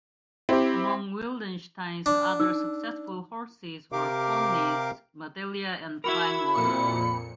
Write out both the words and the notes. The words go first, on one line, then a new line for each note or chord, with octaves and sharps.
Among Wildenstein's other successful horses were Pawneese, Madelia, and Flying Water.
C4 E4 G4
D4
D#4 E6
C3 G4 A#4 F5 D6
E4 F#4 A#4 B5 E6 G#6
F2 A#2 C#7